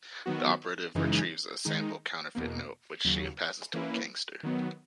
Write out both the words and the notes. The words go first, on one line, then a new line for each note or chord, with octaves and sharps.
The operative retrieves a sample counterfeit note, which she passes to a gangster.
D#3 F#3 B3 F#4
F#2 C#3 E3 G#3 D#4
D#3 G#3 D#4
E2 B2 A#3
D#2 C#3 F#3
E3 A#3 C#4 E4 B4
D#3 F#3 B3